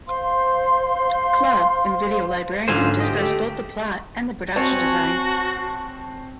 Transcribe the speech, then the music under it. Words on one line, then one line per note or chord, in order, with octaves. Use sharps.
Club, and "Video Librarian" discussed both the plot and the production design.
C5 F5 C6
G#2 D3 C#4 F4 C5 G#5
G4 D#5
A3
C4 F#4 C#5 G#5 A5